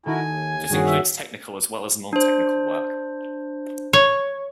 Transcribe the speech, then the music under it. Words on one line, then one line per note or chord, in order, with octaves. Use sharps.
This includes technical as well as non-technical work.
D#3 E4 F#4 A4 A#4 G#5
D#2
G2 D#3 A#3 C#4 F#4 G#4
E5
D4 C5
C#5